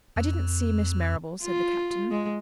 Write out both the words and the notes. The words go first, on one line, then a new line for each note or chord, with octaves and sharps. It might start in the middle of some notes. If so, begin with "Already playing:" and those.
"I didn't see Miss Marrable," said the Captain.
F2
F4
G#3